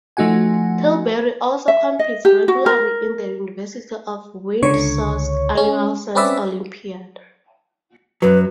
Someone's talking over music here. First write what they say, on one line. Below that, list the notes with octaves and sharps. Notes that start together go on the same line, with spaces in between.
Tilbury also competes regularly in the University of Windsor's annual Science Olympiad.
F3 A3 D#4 F#4 F#5 G#5
E5
D#5
G4
F#4
A#4
C#2 D3 C#5 C#6
G#3 C#4
C4 C#4 B4 D5 E5
F#2 F#3 B4